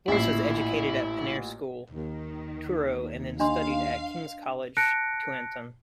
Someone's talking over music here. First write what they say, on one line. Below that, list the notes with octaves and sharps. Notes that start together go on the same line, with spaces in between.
Voyce was educated at Penair School, Truro and then studied at King's College, Taunton.
A1 A#2 E4 C7
D#2 D#3
D4 D#5 F5 C6
A5 F#6 A#6 C#7 D7